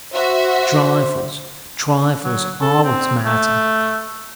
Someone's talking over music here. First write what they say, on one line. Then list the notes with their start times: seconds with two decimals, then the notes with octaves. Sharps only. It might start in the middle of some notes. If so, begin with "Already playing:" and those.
Trifles, trifles are what matter!
0.14 F#4 C5 E5
2.24 F#3
2.62 A4
2.84 C4
3.26 A3